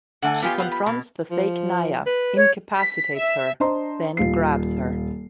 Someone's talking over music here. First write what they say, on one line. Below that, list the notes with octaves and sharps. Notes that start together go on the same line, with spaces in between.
She confronts the fake Naia, incapacitates her, then grabs her.
D3 A3 F#5 G#5 A5
B3 F4 G4 D5 G#5 C6
B4 F5 F#5
B5
B2
F3
B4
C#5
B6
E5
D4 C5 D#5 A#5 C6
D#1 F4 C7